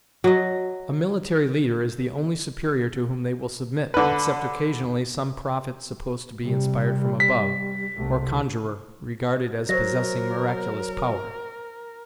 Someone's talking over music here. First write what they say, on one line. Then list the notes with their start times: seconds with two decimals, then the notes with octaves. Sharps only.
A military leader is the only superior to whom they will submit, except occasionally some prophet supposed to be inspired from above, or conjurer regarded as possessing miraculous power.
0.24 F#3 D#5
3.94 D3 B4
6.44 C3 G3
7.20 B6
7.97 C2 C3 A3
9.69 F#3 A#4 C5 A#6